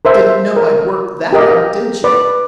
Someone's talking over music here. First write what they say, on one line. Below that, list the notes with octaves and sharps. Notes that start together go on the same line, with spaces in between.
Didn't know I'd worked that out, did you?
A#4 C5 E5
A#4
G4 A#4 D#5
B4 D5 B5